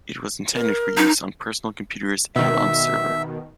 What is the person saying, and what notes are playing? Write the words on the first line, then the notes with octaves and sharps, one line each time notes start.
It was intended for use on personal computers and on server.
A#4
D#4
B2 D#3 E5